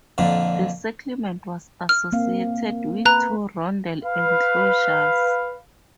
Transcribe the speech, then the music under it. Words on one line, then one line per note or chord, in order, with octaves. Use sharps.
The settlement was associated with two rondel enclosures.
F2 A#2 D3
F6
A#3 C4 F5
B4 A#5 F#6
B4 F5